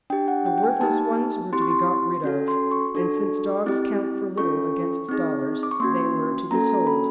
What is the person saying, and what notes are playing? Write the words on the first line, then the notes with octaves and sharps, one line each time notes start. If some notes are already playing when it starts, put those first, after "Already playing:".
The worthless ones were to be got rid of, and, since dogs count for little against dollars, they were to be sold.
D4 G4 G5
F#5
G5
G5
G#5
A#3 D#4 G4 A5
C4 E4 G4 C6
C#6
C6
C#4 F#4 A4
C6
C#6
D4 F#4 A4
C4 E4 G4
C#4 F4 A4 C#6
C4 D#4 G#4
D6
C#6
A#3 C#4 F#4 C6
A#3 C#4 F#4 A4 A#5
B5